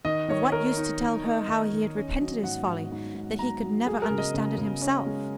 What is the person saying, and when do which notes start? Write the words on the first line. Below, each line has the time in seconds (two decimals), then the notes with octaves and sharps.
Of what use to tell her how he had repented his folly, that he could never understand it himself?
0.05 D#3 D#5
0.28 D#3 C#5
0.52 D#3 A#4
0.77 D#4
1.01 D#3
1.24 D#4
1.48 D#3 D#5
1.73 D#3
1.96 C#4
2.20 F#3
2.43 G#2 F#5
2.67 G#2
2.92 G#2
3.14 G#2
3.39 F#3 A#5
3.63 F#3
3.86 G#3 G#4
4.02 A#4
4.10 C#3
4.18 D#5
4.34 C#3
4.58 C#3
4.81 C#4
5.06 G#3